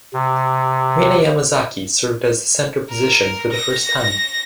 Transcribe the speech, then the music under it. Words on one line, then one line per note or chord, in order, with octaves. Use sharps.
Rena Yamazaki served as the center position for the first time.
C3
A#4
A#6